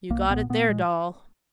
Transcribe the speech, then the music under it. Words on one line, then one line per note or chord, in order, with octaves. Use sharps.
'You got it there, Doll.
B1 A#3
A#2 B3
A#2 B3
G#3